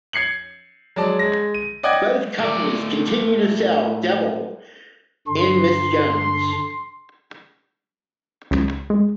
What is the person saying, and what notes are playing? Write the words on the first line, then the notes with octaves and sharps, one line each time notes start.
Both companies continue to sell "Devil in Miss Jones".
G#6 C7 C#7 F#7
F#3 G#3 D5 A5
G#3 A#6
D#7
D5 D#5 F#5 G5 D6 G#6
A2 D5
G2 D3 D4 C6
C#2
G#3